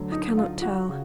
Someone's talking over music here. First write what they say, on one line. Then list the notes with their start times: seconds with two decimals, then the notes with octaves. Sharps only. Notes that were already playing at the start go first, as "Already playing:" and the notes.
I cannot tell.
Already playing: D2 D3 F#3
0.12 D#4
0.37 F4
0.62 F#4
0.89 C#3